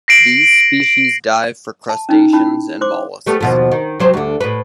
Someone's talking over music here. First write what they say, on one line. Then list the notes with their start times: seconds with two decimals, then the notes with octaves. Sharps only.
These species dive for crustaceans and molluscs.
0.08 A#6 C7 D7 F#7
1.89 A5
2.09 C#4 D#4
2.33 C#4 E4 A5 B5
2.81 C5 C6 D6
3.26 G3 A3 B3
3.41 D#2 B2 F3
3.72 D#3
4.00 C3 F#3 C5
4.14 D2 D3
4.41 A2 B4